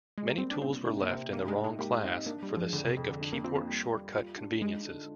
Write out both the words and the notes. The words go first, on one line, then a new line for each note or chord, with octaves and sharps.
Many tools were left in the wrong class for the sake of keyboard-shortcut conveniences.
G#3
A#3
G3 C4
D4
A#2 C4
C3 D4
A#3
C3 C4
G#2 A#3
G#3
G#2
G#3
A#3 G4
C4 D#4
A#3 D4
G3
G#3
F3
F2 D3
C3
F2
D3
D4
A#3
C4 F4
A#3
G3
G3
F4
D4
G#3 D#4
D3